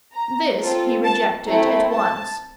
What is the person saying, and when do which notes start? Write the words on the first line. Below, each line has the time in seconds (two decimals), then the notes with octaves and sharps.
This he rejected at once.
0.13 A#5
0.58 C4 F4 A4
1.03 A5
1.48 A3 C4 E4 A#5
1.93 A5